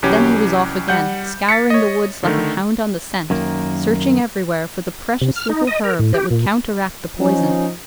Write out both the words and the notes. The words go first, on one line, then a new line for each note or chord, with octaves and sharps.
Then he was off again, scouring the woods like a hound on the scent, searching everywhere for the precious little herb that would counteract the poison.
C2 E3 F#3 C#4 G4
G3 F#5 G6
A6 B6 C#7
C#5 D#5
D3 D#3 A3
F#2 D#3 A#3
C3
F6
D#4
D#5
A#4
A2
G4
A#2
F3 C#4 D#4